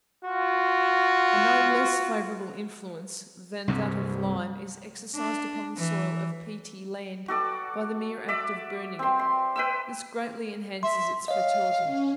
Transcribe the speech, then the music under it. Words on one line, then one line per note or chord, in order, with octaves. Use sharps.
A no less favourable influence than that of lime is exercised upon the soil of peaty land by the mere act of burning it: this greatly enhances its fertility.
F4 F#4
C2 G2 C3
D4
E3
F#4 A4 D5
D5 E5
C4 C6
C6
B4 G5 E6
E5 C6
C#5 D#5 F5
C#4